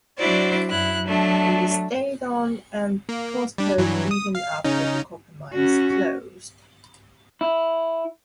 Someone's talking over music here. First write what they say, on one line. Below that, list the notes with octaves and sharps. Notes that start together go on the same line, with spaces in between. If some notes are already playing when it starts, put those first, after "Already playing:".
And they stayed on and prospered even after the copper mines closed.
F#3 D4 E4 F#4 C5 D5
F#2 E4 F#6
F#3 A3 D4
A#3
G3 D4
G2 E3 F#3
D#6
F5
C#3 C#4 D#4
C#4 F#4
E4